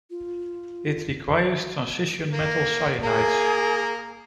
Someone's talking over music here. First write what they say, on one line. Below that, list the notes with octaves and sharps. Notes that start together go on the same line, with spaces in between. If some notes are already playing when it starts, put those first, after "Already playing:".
It requires transition metal cyanides.
F4
A#3
A#3 G#4 A#4